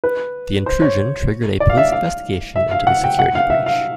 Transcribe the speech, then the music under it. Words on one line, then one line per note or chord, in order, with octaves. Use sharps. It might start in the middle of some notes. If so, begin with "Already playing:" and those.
The intrusion triggered a police investigation into the security breach.
B4
C5
C#5
D5
F5
E5
F5
E5
F5
F#5
G5
F#5
F5
E5
F5